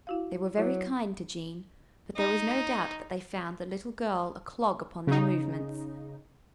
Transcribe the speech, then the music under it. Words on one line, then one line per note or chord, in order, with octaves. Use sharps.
They were very kind to Jean, but there was no doubt that they found the little girl a clog upon their movements.
E4 F#4 F5
F#3 E4
D#4
C#3 D#4